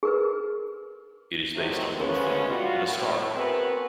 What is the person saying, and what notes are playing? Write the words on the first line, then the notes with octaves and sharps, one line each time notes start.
It is based on both the moon and a star.
G#4 A#4 B4
G#2 C3 D#3 F#3 A3
G#2 C#3 A3 B3 C#4
G3 F4 F#4
A2
B3 C4 F#4 G#4 A#4 B4